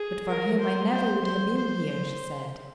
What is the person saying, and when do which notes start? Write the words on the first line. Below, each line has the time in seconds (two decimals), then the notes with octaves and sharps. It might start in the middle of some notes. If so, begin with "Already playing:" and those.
"But for him I never would have been here," she said.
Already playing: G#4
0.28 A#4
0.60 C5
0.92 C5
1.25 C5
1.57 C5